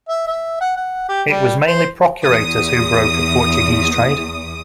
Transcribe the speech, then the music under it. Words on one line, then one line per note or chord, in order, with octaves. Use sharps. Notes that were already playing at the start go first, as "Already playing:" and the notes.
It was mainly procurators who brokered Portuguese trade.
E5
E5
F#5
F#5
G4
G3
C5
E2 D#6